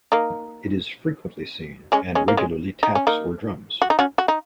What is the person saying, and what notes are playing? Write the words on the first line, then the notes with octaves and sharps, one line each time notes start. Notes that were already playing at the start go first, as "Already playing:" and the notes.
It is frequently seen, and regularly taps or drums.
A#3 D#4
G#3 C#4
G#3 C#4
A#3
G#3 C#4
D#4
C#4
A#3 D#4
F#4
D#4
C#4 F#4
F#4
D#4